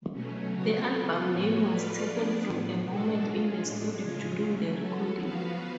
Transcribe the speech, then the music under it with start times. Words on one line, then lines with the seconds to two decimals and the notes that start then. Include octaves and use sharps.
The album name was taken from a moment in the studio during the recording.
0.13 B2 F#3 A3 C#4
0.51 C#3 F#3 B3 F#4 C#5
0.90 B3 F4 A4
1.29 A2 F3 B3 F#4 C#5
1.69 A3 F4 B4 D5 F5
2.07 F3 B3 D4 G#4 D5
2.46 A2 F3 B3
2.85 B2 G#3 D4 F#4 A4
3.24 G#3 C#4 F4
3.63 A2 G#3 D4
4.01 C#3 G#3 C#4 F4
4.40 F#3 A3 C#4
4.79 F#3 C#4 F#4 A4
5.18 F3 B3 F#4 B4 F5